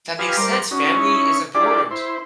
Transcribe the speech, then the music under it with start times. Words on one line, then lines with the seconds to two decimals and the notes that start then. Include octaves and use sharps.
that makes sense. Family is important.
0.19 F4 G4 B4 D#5 F5 G#5
0.37 G3 A#4 C5 D6
0.71 C#4 D#4 F#4
0.95 C#4 D#4 E4 C#5
1.55 D4 E4 F4 G4 G#4 D5
1.91 E4 C5